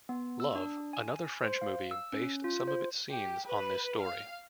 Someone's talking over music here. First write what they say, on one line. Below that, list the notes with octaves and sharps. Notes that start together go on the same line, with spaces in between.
"Love," another French movie, based some of its scenes on this story.
B3
E6
D4
G#5
C5
F5
E6
C#4
F4
C5
G4
B4
F5